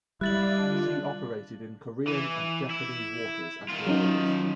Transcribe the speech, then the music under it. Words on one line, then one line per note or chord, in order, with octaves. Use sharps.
She operated in Korean and Japanese waters until August.
G3 E4 D5 D#5 F5 F#6 A6 F#7
D3 D4 F4
E3
E4
D#3 F4
F#3 C#4 D#4